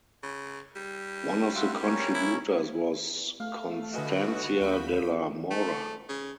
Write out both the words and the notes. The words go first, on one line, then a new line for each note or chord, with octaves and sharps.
One of the contributors was Constancia de la Mora.
C#3
G3
F4 F#4 E5
A#3 C#4 C#5
E4
A3 F5
D3 F#4 G#4 B4 D#5
D#2 B5 G6 B6
A3
C#3